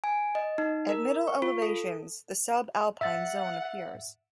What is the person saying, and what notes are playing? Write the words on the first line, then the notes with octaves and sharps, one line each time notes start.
At middle elevations, the subalpine zone appears.
G#5
D#5
D#4
A#4
C#6
F4
A4
E5 F#5 A6